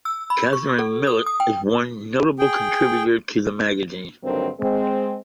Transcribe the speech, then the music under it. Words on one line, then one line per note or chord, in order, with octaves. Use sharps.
Catherine Millet is one notable contributor to the magazine.
E6
B5
C#6
A4
D#6
D#6
G5
G#4 G5
G2 D3 D#3 F#3 A#3 C4
G#3 C4